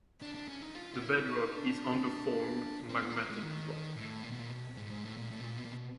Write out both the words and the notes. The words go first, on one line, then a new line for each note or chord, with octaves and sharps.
The bedrock is undeformed magmatic rock.
D4
D4
C#4
D#4
F4
F4
E4
D#4
D4
C4
B3
A#3
G#3
D#3
A2
A#2
B2
A#2
B2
G#2
G#2
A2
A#2
A2
B2
A#2
B2
A#2
B2